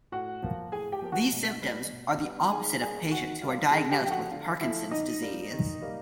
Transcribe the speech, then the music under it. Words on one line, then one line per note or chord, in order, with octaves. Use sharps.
These symptoms are the opposite of patients who are diagnosed with Parkinson's disease.
A2 F#4 F#5
F3 A#3
A2 G#4 G#5
G4 G5
F3 A#3
F#4 F#5
B2
G3 B3
B2
G3 B3
D#3 G#4 G#5
G3 A#3 G#4 G#5
D#3 F#4 F#5
G3 A#3 F4 F5
D3 G#4 G#5
G4 G5
F3 A3 G5
F#4 F#5
D3 F4 F5
F3 A3 E4 E5
D#3 D#4 D#5
G3 A#3
D#3
G3 A#3